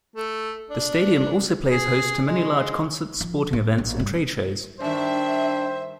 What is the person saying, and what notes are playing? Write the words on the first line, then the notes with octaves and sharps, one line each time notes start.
The stadium also plays host to many large concerts, sporting events, and trade shows.
A3
D4
G#4
G#3
F3
A2
A#1
G2
G2 D#3 D4 C5 E5